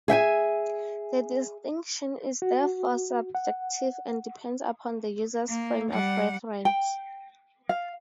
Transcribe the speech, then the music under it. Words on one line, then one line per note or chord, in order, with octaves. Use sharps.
The distinction is therefore subjective and depends upon the user's frame of reference.
G#4 E5 G5 G#5
F#4
F#5
A#3
G3 F#5
G5
F5